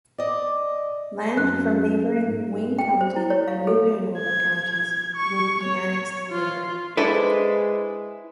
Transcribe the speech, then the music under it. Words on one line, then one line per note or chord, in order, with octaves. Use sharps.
Land from neighboring Wayne County and New Hanover counties would be annexed later.
D5 D#5
F#2 F#6
G#2
G5
C5
E4
C#5
F5
A4
G#6
C#6
C#5
F4
G#3 D4 E4 A4 B4 C5